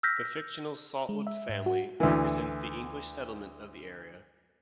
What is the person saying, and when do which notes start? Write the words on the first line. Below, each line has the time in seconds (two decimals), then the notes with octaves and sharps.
The fictional Saltwood family represents the English settlement of the area.
0.03 E6 F6 G6 A#6 B6
1.09 G#3
1.27 E5
1.49 G#2
1.66 F#4
2.00 D2 E3